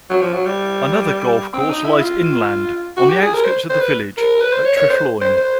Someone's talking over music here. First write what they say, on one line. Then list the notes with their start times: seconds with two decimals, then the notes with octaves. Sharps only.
Another golf course lies inland, on the outskirts of the village, at Trefloyne.
0.10 F#3
0.22 F3
0.34 F#3
0.46 G3
1.54 C4
1.69 D#4
1.85 E4
2.02 F4
2.97 F#4
3.09 G4
3.22 G#4
3.34 A#4
3.45 C5
3.70 C5
3.82 B4
4.17 A#4
4.41 B4
4.53 C5
4.65 C#5
4.77 C#5
4.90 C5
5.21 C5
5.37 C5